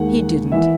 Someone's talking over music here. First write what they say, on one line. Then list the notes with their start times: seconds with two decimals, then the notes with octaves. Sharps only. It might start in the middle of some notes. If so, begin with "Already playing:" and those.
He didn't.
Already playing: D#2 D#3 G#3 F#5
0.52 E3 E5